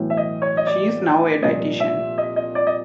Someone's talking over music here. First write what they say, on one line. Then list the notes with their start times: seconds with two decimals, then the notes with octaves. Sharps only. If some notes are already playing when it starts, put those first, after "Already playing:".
She is now a dietician.
Already playing: B1 A2 E3
0.10 E5
0.17 D#5
0.42 C#5
0.57 D#5
0.67 D5
1.43 C2 A#2 F3 D#5
1.80 E5
2.18 D#5
2.36 D#5
2.55 D5
2.67 D#5